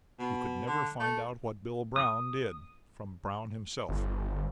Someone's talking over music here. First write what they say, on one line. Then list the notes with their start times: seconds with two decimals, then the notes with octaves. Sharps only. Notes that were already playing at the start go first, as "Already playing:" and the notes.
You could never find out what Bill Brown did from Brown himself.
0.19 B2
0.67 D3
1.00 A3
1.96 D#6
3.89 G1